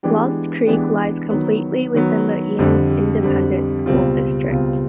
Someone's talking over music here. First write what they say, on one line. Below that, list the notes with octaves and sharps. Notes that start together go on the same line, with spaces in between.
Lost Creek lies completely within the Eanes Independent School District.
E3 G#3 B3 D4 G4
E3 G#3 B3 D4 G4
D#3 F#3 B3
D#3 F#3 B3
F2 D3 G3
F2 D3 G3
C#2 B2 G3 C4 F4
C#2 B2 G3 C4 F4